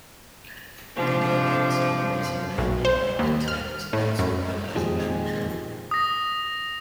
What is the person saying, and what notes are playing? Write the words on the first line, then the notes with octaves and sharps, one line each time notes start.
The Director was a naval architect as well as a manager.
C3 F3 D4
B1
C5
D#2
F6
A2
F#2
A#2 D#3 F3 G#3 G4 G#4
D#6 A#6